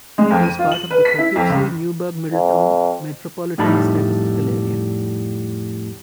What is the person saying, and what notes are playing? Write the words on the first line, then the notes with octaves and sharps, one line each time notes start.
It is part of the Poughkeepsie-Newburgh-Middletown Metropolitan Statistical Area.
G#3
F2
D#7
F4
F#7
B4
B6
E4
F2
C#2
F2
F2 A2 G3 D#4 A5 B5